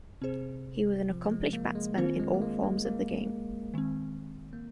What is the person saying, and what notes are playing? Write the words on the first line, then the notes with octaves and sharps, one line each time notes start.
He was an accomplished batsman in all forms of the game.
C3 C4 G#4 C5
F3
G#3
A#3
G#3
D#3 A#3 C4 F4 C5
G#3
A#3
G#3
G#3
A#3
D#3 G#3 C4
A#3